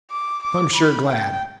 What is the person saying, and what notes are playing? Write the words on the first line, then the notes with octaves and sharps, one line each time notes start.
I'm sure glad.'
D6
D6
B5
G5